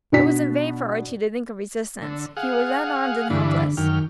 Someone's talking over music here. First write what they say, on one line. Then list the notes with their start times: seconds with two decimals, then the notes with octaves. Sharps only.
It was in vain for Archie to think of resistance, he was unarmed and helpless.
0.12 B2 B3 D4 F#4 B6
2.02 D3
2.37 G#4 F5 F#5
3.30 G2 D3 E3 D4
3.77 F#2 D#3 G5 F6